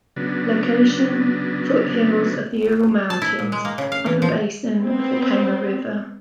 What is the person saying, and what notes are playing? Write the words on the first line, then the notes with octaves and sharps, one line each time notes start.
Location: foothills of the Ural Mountains, upper basin of the Kama River.
C#3 F#3 B3 D4
A5
E4
A#2
G#3
A#3
C#3
F5
E3
F3
B3 C4